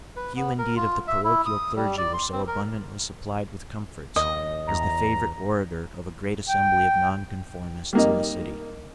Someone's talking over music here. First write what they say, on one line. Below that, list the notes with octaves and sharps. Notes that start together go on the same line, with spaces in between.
Few indeed of the parochial clergy were so abundantly supplied with comforts as the favourite orator of a great assembly of nonconformists in the City.
B4
B3
A#4
F4
E5
E4
D#6
G3
D5
C6
C4
A#4
D#2 D#5
E2 A#5
G5
G3 A#3 D#4